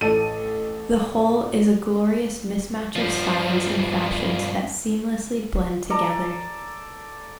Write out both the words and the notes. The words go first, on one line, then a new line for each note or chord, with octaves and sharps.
The whole is a glorious mismatch of styles and fashions that seamlessly blend together.
A1 A4 D#7
G2 F3
A4 D5 A#5